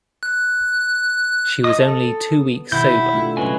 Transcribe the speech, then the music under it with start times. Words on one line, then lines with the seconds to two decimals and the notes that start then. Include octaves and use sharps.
She was only two weeks sober.
0.23 F#6
1.64 D#5 D#6
1.80 A4
2.40 B3
2.72 B2 D#3 E4 G4 F#5 G6
3.13 A3 D4 F4
3.37 C#3 F#3 G#3 C#4 B4 G#5